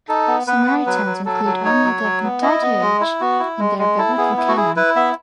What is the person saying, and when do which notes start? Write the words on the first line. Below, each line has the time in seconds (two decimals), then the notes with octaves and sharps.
Samaritans include only the Pentateuch in their biblical canon.
0.09 D#4 A4
0.28 B3
0.47 B3 B4
0.67 B3
0.86 F#3 B4
1.06 F#3
1.26 F#3 A4
1.45 F#3
1.65 D#4 C#5
1.84 F#3
2.03 F#3
2.23 B3
2.42 E4 D#5
2.62 B3
2.81 G#3
3.01 E4
3.20 B3 F#4
3.40 E4
3.59 G#3
3.78 G#3
3.98 E4 A4
4.18 B3 G#4
4.37 E4
4.48 F#4
4.57 E4 G#4
4.76 E4 B4
4.96 B3 E5